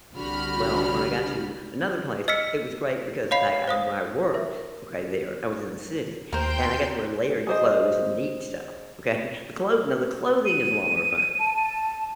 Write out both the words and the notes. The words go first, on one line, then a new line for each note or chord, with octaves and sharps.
Well, when I got to another place, it was great because of the fact I where I worked, okay, there, I was in the city, and I got to wear layered clothes and neat stuff. Okay? The clothes no, the clothing is a lot more fun.
C2 D3 F#4 G4 B5 F6
D#5 E6 F6 B6 C#7
C#5 D#5 F5 B5 C7
C5 F5 D#6 A#6
A#4 E5
D#2 A#4 C5 G5 C6 G6
G#4 C5 D#5
D#7
A5